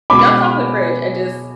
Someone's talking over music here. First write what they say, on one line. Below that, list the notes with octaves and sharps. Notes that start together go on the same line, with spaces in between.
jumps off the fridge and just
B2 G#3 C#4 B5 D6